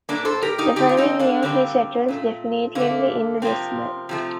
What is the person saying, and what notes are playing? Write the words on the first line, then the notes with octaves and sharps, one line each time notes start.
The following year he settles definitively in Lisbon.
A#2 A3 A#3 D4
A4 C5
G4 A#4
D#4 G4
D3 A3 D#4 G4
F4
C4 D#4
A#3 D4
D3 G3 A#3 C4
A#2 A3
D3 A3 A#3
C3 F3 A#3 C4
C3 F3 A3